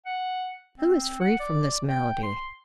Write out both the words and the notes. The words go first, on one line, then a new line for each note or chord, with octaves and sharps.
Who is free from this malady?
F#5
C4
F#5
D5
G5
C6